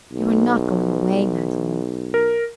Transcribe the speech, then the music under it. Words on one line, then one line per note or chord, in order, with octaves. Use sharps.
"You are not going away, Magdalen?"
B1
A#4